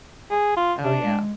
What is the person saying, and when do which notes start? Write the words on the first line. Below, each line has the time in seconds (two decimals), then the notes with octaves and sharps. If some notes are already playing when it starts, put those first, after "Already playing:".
Oh, yeah.
0.31 G#4
0.56 F4
0.83 C3 D4
1.04 G#3